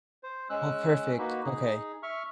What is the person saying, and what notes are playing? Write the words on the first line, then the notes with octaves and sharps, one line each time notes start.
Oh, perfect, okay.
C5
G#3 C#4 E6 F#6
A#3 D#4 F#4 B4
D#4 G#4
E5 C#6 F6